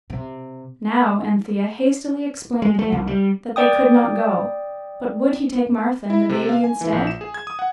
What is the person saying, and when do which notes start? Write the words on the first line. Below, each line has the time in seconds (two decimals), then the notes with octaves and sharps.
Now Anthea hastily explained to him that they could not go, but would he take Martha and the Baby instead?
0.10 C3
2.62 G#3
2.79 A3
2.92 C2
3.07 G3
3.56 D5 G5 D#6
6.10 E4
6.29 C3
6.49 F5
6.64 G#5
6.81 E3
6.93 A#1
7.07 E7
7.21 G#4
7.34 G#6
7.47 D#6
7.59 F#5